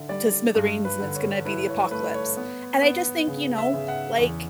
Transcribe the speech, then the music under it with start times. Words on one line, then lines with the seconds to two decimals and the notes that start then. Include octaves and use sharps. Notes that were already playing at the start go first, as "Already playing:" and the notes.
to smithereens, and it's gonna be the apocalypse. And I just think, you know, like,
Already playing: D3 E5
0.09 G3 D5
0.55 G2
0.85 B4
1.00 D3
1.15 C#5
1.45 E4 B4
1.69 C#5
1.91 A3 B4
2.14 C#5
2.37 B3
2.82 B3
3.28 C#3
3.58 E5
3.74 C#3
3.88 F#5
4.18 E2